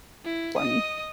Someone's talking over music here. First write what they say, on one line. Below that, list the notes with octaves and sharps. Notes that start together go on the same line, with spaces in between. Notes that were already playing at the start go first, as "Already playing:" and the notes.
for me.
E4
D#5 D#6